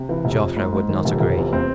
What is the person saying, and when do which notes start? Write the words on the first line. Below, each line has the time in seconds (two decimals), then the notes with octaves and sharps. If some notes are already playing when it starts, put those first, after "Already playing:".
Joffre would not agree.
Already playing: C3
0.09 E3
0.25 F1
0.41 F2
0.56 G#2
0.72 G#2
0.89 D#3
1.05 F1
1.20 F1
1.37 E2
1.53 C4